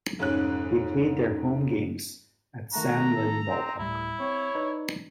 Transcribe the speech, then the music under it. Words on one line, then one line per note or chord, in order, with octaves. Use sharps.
They played their home games at Sam Lynn Ballpark.
F1 G#2 C#4 F#6
D#3 A3 F#4 A5 A#5
A4
C4
D2 A2 G3 E4
C4 C#5
D#4 B4 D5